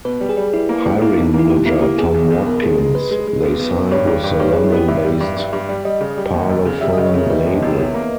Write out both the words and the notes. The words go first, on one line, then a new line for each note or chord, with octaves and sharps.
Hiring manager Tom Watkins, they signed with the London-based Parlophone label.
B2 B4
G3
G#4
G3
G3 E4
A#3
G3
A#3 E4
B2 D#4
A#3
E4
B2 G4
A#3 E4
E4
A#3 G4
B2 G#4
B1
B1
B2 A#4
G#3
G#3
G#3 B4
G#3
G#3
B1
B1
B2
G2 C#5
G2
G2
G2 B4
G2 G#4
E4
B3 G4
G2 E5
G3
G2
G2
G2
G3
G3 D#5
C#3
G3
D#2
E1
C#3
G3 E5
C#3 D#5
C#5
C#3 A#4
G3 B4
D#2
E1
E2
A#3